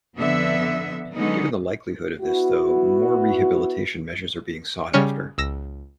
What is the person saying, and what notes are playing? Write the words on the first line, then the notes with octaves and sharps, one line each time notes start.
Given the likelihood of this, though, more rehabilitation measures are being sought after.
F2 D3 B3 E5
D3 F#3 G#3 B3 C#4 D#4
B3 E4 F#4
C#3 G3 C#4 F6 C#7
C#2 E6 A#6